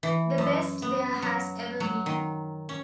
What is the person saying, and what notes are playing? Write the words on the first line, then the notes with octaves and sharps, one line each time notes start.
The best there has ever been.
E3
F#2
B3
F#3
F#3
D#3
C#4